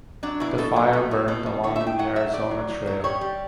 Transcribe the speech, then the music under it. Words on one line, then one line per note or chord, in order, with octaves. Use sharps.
The fire burned along the Arizona Trail.
F#3 D4
B2 E4
B2 A4
F#3
A3
B2
B2 A4
B2
D3 C#5
E5
A3
G5
F#3 F#5
F#3 E5
A3 D5
F#3
F#3
F#3
G3 C#5
G3